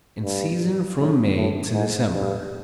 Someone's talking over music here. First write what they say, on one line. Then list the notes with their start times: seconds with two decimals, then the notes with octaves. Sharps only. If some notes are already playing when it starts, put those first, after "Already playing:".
In season from May to December.
0.24 G2
0.99 A2
1.36 A2
1.73 G#2
2.11 G2